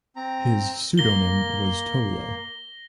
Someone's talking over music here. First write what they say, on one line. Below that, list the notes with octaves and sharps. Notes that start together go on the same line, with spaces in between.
His pseudonym was "Tolo".
C4 A#5
A#3 A#6 G7